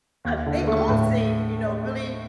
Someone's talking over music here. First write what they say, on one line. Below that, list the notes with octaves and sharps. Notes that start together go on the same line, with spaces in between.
Yeah, they all seem, you know, really
D#2
D3
A3
A2